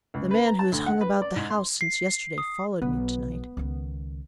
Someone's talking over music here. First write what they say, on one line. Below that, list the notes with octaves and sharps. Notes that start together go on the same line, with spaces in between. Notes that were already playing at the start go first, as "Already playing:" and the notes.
"The man who has hung about the house since yesterday followed me to-night."
C#2
B4
A#5
A5
D2
F#5
B4
D5
G#2
C6
C7
D#6
B1 B3
C#2 D#3